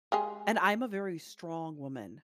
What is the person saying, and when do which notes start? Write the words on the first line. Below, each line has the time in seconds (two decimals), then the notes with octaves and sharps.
And I'm a very strong woman
0.12 G#3 G4 G#4